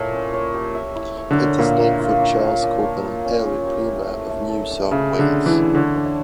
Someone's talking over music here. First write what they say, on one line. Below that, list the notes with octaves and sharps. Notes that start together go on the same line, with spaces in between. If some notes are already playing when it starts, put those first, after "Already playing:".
It is named for Charles Cowper, an early Premier of New South Wales.
Already playing: A#2 E4 A4 C#5
C#4
C#5
G4
E5
E4
C#5
D3
A#4
A#2 A#3
A#3
F4
C#4
F5
D4
C#5
F4
C#4
C#4
G4
E4
A3
A3
A4
D4
C#3 A3
A3
D3
A4
E3
D4
D3 C#5
D4